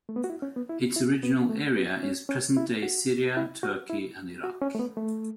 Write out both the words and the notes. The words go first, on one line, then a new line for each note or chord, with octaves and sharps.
Its original area is present-day Syria, Turkey, and Iraq.
A3
B3
F#4
E4
C#4
B3
E4
E4
B3
A3
B3
C#4
C#4
E4
F#4
E4
F#4
E4
F#4
C#4
A3
B3
A3